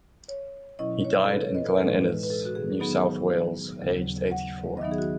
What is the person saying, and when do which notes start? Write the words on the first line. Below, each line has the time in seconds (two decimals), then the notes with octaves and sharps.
He died in Glen Innes, New South Wales, aged eighty-four.
0.28 C#5
0.79 B2 F#3 C#4 E4 D#5
1.04 C#5
1.25 A4
1.29 B4
1.42 C#5
1.55 D#5
1.67 B4
1.78 A2 E3 G#3 D#4 A4
1.87 B4
2.23 B4
2.30 A4
2.45 F#4
2.55 G#4
2.80 D#3 F#3 B3 D#4 G#4
3.81 D#2 C#3 F#3
4.31 F#5
4.77 D#5
4.81 D#3 F#3 B3 D#4 E5
4.91 G#4
4.98 F#4